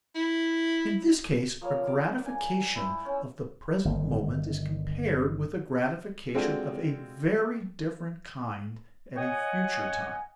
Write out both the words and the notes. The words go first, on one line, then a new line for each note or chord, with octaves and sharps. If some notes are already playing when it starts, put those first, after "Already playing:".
In this case, a gratification of the present moment is compared with a gratification of a very different kind at a future time.
E4
F3 A#3 C#5
D5
G#5
E4 C5
C#4
G1 D#3
G#3 C4 D4 F4 F#4 A4
C#5 D#5 F#5 G#5